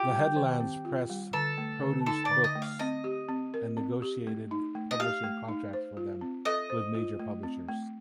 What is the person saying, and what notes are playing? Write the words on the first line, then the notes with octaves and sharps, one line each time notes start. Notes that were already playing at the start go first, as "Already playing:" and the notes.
The Headlands Press produced books and negotiated publishing contracts for them with major publishers.
Already playing: F4 G4
G3
D#3
C4
F4
G3
D3 A4
A3
D3
D#4 A4
D5
D3
D#5
A3
F5
C4 D#5
G4
C4
A#4
C4
G4
A3
D#4
A3
D#5
G4 F5
A3
D#4
C5
F4
C4
A4 D#5
C5
F4
A3
C4
A3